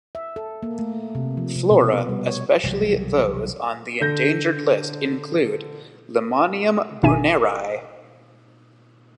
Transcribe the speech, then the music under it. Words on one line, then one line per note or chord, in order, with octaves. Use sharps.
Flora especially those on the endangered list include "Limonium brunneri".
E5
A4
A#3
A3
C3
F3
C3
B2
B3
G3
C#5
E1 C2 F#3 G3
D3 G6 A#6
G#1 B2 D#4 E5 G#5 D#7